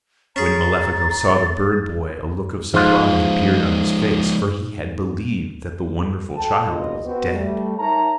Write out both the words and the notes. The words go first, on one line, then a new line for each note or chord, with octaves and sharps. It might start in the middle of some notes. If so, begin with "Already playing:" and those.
When Malefico saw the bird-boy, a look of surprise appeared on his face, for he had believed that the wonderful child was dead.
C#4 G#4 A#5 A6
G#2 F3 G#3 F4
A4 G5 A5
F#1 C#2 B2 D3 F4 D#5
B3 C4 F#4 B4
G3 A3
D#4 A#4 C#5 E5 A5 A#5